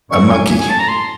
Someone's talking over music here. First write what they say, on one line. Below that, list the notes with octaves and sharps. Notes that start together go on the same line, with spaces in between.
a monkey,
F#2 C#6
G#5
A2 G#5
G#5
A5
A#5
C6